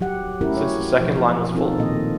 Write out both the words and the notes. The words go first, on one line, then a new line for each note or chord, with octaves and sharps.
Since the second line was full.
F#3 G4 F#5
A3 C#4 E4 G4 A#4
F#4 C#5
B2 F3
C4 D#4 F4 A4 A#4
A#2 D#3 A#3 D#5